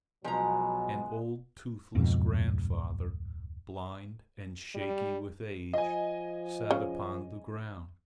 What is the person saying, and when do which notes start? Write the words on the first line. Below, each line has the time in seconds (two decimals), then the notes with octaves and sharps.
An old toothless grandfather, blind and shaky with age, sat upon the ground.
0.24 B1 B2 F3 F#3 G#3 B3 A#5
1.95 D1 F2 G#2 B2
4.75 G3
5.73 F3 D#5 G#5
6.71 C#3